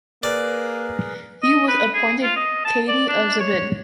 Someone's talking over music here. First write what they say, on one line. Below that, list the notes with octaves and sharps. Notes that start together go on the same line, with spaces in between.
He was appointed qadi of Zabid.
A#3 G#4 A#4 B4 D5
D#5
B4
G#4
F4
D#5
A5
D5
D4
C#5